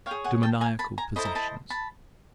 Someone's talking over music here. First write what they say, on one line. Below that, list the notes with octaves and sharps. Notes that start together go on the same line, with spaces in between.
Demoniacal possessions.
C#5 F5 G5
G#4
F#5 G#5
G5 A5
G#5 A#5
A5 B5
G#5 A#5
E4 A4 C5 D#5 B5
A#5
A5 B5
A5 B5